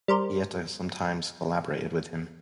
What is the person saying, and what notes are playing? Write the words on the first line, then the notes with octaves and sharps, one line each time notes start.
Pieter sometimes collaborated with him.
G3 A#4 C5